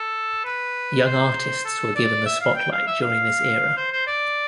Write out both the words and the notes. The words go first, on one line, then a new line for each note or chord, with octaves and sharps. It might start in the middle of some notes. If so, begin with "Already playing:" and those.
Young artists were given the spotlight during this era.
Already playing: A4
B4
C5
A4
D5
E5
F5
G5
F5
E5
F5
C5
C5
D5